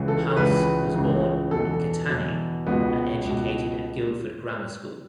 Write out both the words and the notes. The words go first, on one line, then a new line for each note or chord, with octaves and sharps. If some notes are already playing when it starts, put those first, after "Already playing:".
House was born in Katanning and educated at Guildford Grammar School.
Already playing: C#2 C#3 E3
A4
C#2 C#3 E3 B4
C#2 C#3 E3
E2 B2 A4
E2 B2
C#2 B2 B3
C#2 B2